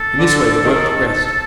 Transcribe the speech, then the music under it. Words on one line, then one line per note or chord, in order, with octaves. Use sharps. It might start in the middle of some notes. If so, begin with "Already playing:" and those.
In this way the work progressed.
Already playing: A4
D3
D#3